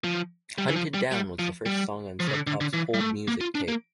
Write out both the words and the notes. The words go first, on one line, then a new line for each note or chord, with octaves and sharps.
"Hunted Down" was the first song on Sub Pop's "hold music" tape.
F3
G3
E3
F3
G3
G3
F3
G3
F3
C#3
D3
D3
D3
E3
G3
A3
A#3
F4
D4
A#3